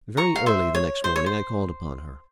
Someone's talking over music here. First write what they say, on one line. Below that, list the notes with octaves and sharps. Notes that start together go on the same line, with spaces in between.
Very early the next morning I called upon her.
A#5 C#6
F5
C5 E5
C#5
C5
C#5
C5